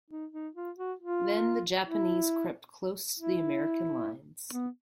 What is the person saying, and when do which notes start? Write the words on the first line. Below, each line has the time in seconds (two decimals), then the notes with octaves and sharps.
Then the Japanese crept close to the American lines.
0.10 D#4
0.33 D#4
0.55 F4
0.77 F#4
0.99 F4
1.88 E4
3.20 E4
4.52 B3